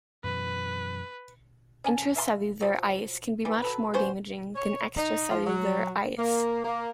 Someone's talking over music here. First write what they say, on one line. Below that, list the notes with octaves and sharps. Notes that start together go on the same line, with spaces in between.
Intracellular ice can be much more damaging than extracellular ice.
F#2 B2 E3 B4
C#4 G#5 A5
E5 F5 A5 C6
F3 F#3
E3 G3
F#3 A4 B4
B3 C#4 F#4 C5
C#5
D#4
F3
F#3
A#3
A#3